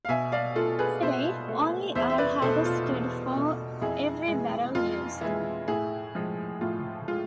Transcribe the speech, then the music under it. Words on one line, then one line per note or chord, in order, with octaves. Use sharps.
Today only are harvested for every barrel used.
F5
B2 E5 G#5
D5 F5
A3 F4 A4
G#4 B4
B2 C5 E5
A3
E2 C5 E5
E5
B4 D5
B2 A3 A4 C5
F4
E2
B2 A3
F2 E4 G#4
E3 G#3
F2 F4
E3 G#3 E4
A2 E4 G#4
F3 G#3
A2 F4
G#3 F4